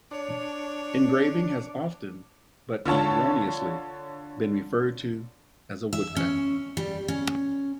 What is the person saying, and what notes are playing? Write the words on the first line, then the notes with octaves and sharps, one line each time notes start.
The engraving has often, but erroneously, been referred to as a woodcut.
D4 C#5
D3 F4 C#5 A5
E5
C#4
G3
C#4